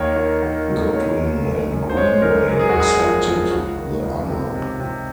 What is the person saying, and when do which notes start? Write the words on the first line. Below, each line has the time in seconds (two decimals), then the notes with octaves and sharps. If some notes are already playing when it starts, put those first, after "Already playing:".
Goodwyn and Greenway accepted the honour.
Already playing: D#2 D#3 A#3 A#4 C#5
0.16 D#3
0.43 D#3
0.68 F#3
0.93 A#3 C#5
1.19 D#3
1.45 F#1
1.71 F#2
1.90 C5
1.96 G#3 C#5
2.14 C5
2.22 F#2 A#4
2.48 F#2 A#4
2.59 G#4
2.69 F#4
2.75 F#1
2.80 G#4
2.99 F3
3.26 F3
3.51 C#2 F#4
3.78 D#3
4.02 C#2
4.28 C3
4.55 C3
4.80 C3